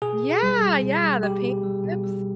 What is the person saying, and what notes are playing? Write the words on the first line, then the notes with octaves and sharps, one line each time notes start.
Yeah, yeah, the paint tips.
B2 G#4
B2
G3
G3
B2
G3
B2 G4
B2
G3
B2
G3